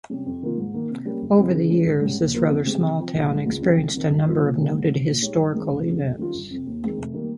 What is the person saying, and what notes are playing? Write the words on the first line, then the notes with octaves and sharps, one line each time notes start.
Over the years, this rather small town experienced a number of noted historical events.
C3 G3 C#4 G4
F2
C3 D#3 A#3 F4
G#2
D#3 A#3
C3
G3 A#3 C#4 G4
G1
F2 C#3 F3 C4
C#3
G#3 C#4 F4 C5
G#1
G#2 G3 C#4
D#2
C#3 F3 A#3 F4
F2
C#3 G#3 C4 G4
C3
F3 C4
A#1
G#2 D#3
C#2
C#3 G3 C4 G4
C2
C3 D#3
G1
G2 F3 A#3 F4
A#2
G3 A#3 D#4
G#2
G3 C#4
A#2
G#3 D#4 G4 C#5
G2
D#3 G#3 C4
F1
F2 C#3
F2
D#3 G3 C#4 F4
G1
F2 C3
D#2
D#3 G#3 C4
F1
D#3 G3 A#3